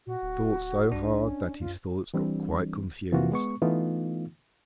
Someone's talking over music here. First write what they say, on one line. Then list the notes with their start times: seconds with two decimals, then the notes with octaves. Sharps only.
He thought so hard that his thoughts got quite confused.
0.07 A#2 F#4
0.22 D1
0.92 B1 D4
1.20 C#4
1.60 F#2 F4
2.14 E3 G3 C4 D4
3.12 C3 E3 A#3 F4 F#4
3.32 G#3 B3 C#6
3.62 E3 A3 B3 D#4 F4